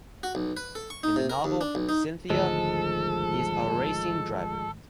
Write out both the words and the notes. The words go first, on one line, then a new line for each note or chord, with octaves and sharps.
In the novel, Cynthia is a racing driver.
F#4
B1
B4
A4
C#6
D#4
C3
A#4
D#2
D4
B1
D#4
G#1 D2 G#2 F3 G#3 A4